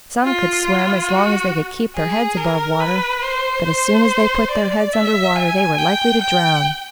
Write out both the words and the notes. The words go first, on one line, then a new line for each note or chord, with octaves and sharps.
Some could swim as long as they could keep their heads above water, but as soon as they put their heads under water they were likely to drown.
F4
F#4
G#4
A#4
B4
C5
C5
D5
E5
G#5
G5
G5